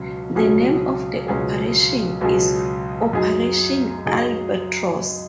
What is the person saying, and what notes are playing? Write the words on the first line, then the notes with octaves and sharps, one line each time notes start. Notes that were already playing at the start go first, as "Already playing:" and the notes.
The name of the operation is Operation Albatross.
Already playing: C#2 B2 F#3 C#4
C#2 B2 F#3 C#4 G#4
C#2 B2 F#3 C#4 G#4
C#2 B2 F#3 C#4 G#4
F#2 F#3 D#4 G#4
F#2 F#3 D#4 G#4